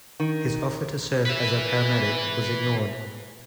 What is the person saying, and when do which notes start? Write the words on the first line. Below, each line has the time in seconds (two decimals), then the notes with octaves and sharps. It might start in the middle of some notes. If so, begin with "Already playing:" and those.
His offer to serve as a paramedic was ignored.
0.20 D#3
1.26 B4 E5